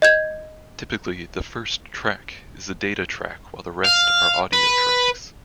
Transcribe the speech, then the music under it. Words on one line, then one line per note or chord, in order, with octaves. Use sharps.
Typically the first track is a data track while the rest are audio tracks.
D#5 G6 G#6
F5
B4